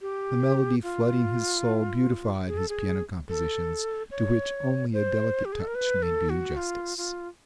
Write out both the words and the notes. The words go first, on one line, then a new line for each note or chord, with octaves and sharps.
The melody flooding his soul beautified his piano compositions, to which only a delicate touch may do justice.
G4
F4
G#4
A4
G#4
A4
C#5
C5
G4
G#4
A4
A#4
B4
A4
F#4
F4
F4